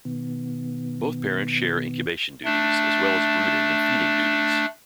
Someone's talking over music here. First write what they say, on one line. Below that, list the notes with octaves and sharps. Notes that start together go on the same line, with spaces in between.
Both parents share incubation duties, as well as brooding and feeding duties.
B2 D#3 B3
A3 D4